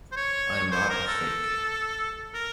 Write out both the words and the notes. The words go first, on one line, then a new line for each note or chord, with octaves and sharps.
I'm not a fake.
C5
C#5
C5
A#4
A4
A#4